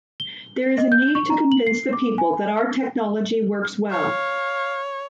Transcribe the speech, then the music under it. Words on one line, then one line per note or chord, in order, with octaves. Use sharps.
There is a need to convince the people that our technology works well...
G7
D#5
G6
C#6
A#5
F#7
C7
D6
G#5
C#5 F5